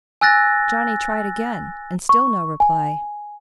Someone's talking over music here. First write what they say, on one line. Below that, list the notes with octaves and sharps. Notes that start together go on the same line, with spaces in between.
Johnny tried again, and still no reply.
G#5 E6 F#6 A6 A#6
C#6
G#5